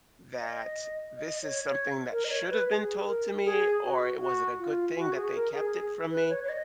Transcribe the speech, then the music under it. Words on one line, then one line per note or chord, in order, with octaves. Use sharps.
that this is something that should have been told to me or it was it a good thing that they kept it from me,
D#5
D#5
C#5
C#5
A#4
D#5
C#5
B4
G#4
A#4
G#4
F#4
F#4
F4
F#4
G#4
A#4
G#4
G#4
B4
C#5
C#5
D#5